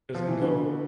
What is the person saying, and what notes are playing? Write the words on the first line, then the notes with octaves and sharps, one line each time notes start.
'cause it can go
F3
E3
D3